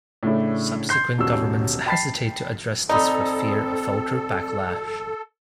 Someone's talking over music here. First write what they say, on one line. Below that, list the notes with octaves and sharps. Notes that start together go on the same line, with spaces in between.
Subsequent governments hesitated to address this for fear of voter backlash.
A2 C#3 A3 D4 E4
C6 G6 C7
D#1 B2 C#4 E6
G5 A5 B5 A6 B6 C7
C4 D#4 A4 D5 B5 D#6